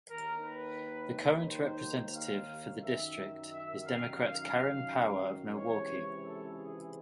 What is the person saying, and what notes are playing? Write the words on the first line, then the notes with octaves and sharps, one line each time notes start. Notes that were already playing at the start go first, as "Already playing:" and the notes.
The current representative for the district is Democrat Karin Power of Milwaukie.
D#2 D#3 A#4
B4
C5
F5
F#2 D#3 E5
E5
F5
F5
C#2 C3 E3 C#5
A4
G#4